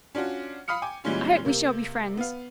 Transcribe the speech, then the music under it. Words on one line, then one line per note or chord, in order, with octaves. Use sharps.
I hope we shall be friends.
C#4 D4 F4 F#4
F5 B5 D#6 F6 C#7
G5 G#5 D6
A#2 E3 G3 G#3 C#4 F4
C3 A#3
B3 F5